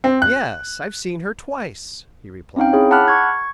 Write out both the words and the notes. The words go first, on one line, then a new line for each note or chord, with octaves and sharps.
"Yes, I've seen her twice," he replied.
C4
F#6
C4 C#4 D#4 F5 G5
E4 G#4 C#5
F#5 A5 B5 D6 F6 F#6
C#6 G#6